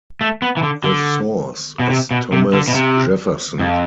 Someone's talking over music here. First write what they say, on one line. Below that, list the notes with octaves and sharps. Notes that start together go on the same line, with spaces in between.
The source is Thomas Jefferson.
A3
B3
E3
D3
D3
B2
C3
B2
C3
D3
B2
C3
F2